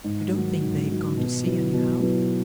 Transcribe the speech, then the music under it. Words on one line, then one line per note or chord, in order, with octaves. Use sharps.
You don't think they've gone to sea, anyhow?'
G#2
D#3 F#3
G#2
D#3 F#3
B2
F#3 B3 E4
B2
F#3 B3 E4